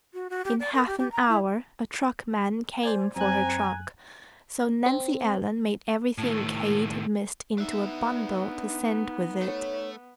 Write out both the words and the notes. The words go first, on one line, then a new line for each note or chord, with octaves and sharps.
In half an hour a truckman came for her trunk, so Nancy Ellen made everything Kate had missed into a bundle to send with it.
F#4
F#4
G4
D5
A#4
G4
G4
A#5
E4
C5 D5 G#5
F#2 C4 G#5 A#5 F#6
C4
A2 D#3
B3 D4 D#4 E5
A3 C#5